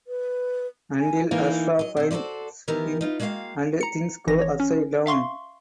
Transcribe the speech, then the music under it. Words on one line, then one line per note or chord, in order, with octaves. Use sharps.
Until Ashraf finds him and things go upside down.
B4
G#5
E3 A#3 D#4 A#4
F#3 D#5
B2 C4
F#4 A4 B4 C5 D5
D#3 E3 B3 G4 A#4
D#4 F4 B4
G#3 A#3 F#4 D5 F5 G5
A#5 C#7
G#1 E3 A#6
C#5
C#4
E5 F5 C6 C#6